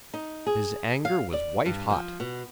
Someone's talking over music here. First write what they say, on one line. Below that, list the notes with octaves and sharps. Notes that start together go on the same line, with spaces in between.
His anger was white hot.
D#4
G#4
F5
D5
G2
F3
B2